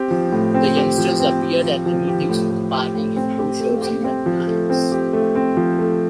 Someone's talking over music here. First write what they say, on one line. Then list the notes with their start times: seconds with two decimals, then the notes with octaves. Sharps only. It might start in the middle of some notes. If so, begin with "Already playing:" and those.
The youngsters appeared at meetings of the party in blue shirts and red ties.
Already playing: C4 G4
0.11 F3
0.32 A2
0.54 C4
0.76 G4
0.98 F3
1.20 C4
1.42 G4
1.64 F3
1.86 F3
2.08 G4
2.29 A2
2.51 A2
2.73 G4
2.95 A2
3.17 C4
3.39 G4
3.60 A3
3.82 G4
4.04 C4
4.26 F3
4.48 A3
4.70 C4
4.92 G4
5.13 A3
5.35 C4
5.57 F3
5.79 A3